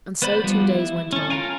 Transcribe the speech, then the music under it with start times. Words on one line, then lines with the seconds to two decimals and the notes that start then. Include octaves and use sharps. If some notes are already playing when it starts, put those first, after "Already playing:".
And so two days went on.
0.22 B3 B4 C5 D5 B5
0.44 F3 G3 B3
0.69 E4
1.13 C#4 A4
1.30 F4 A4 A#4 F5 G#5